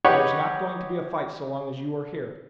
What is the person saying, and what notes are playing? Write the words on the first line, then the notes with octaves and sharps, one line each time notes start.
"There's not going to be a fight so long as you are here."
D#4 G4 B4 C#5 F#5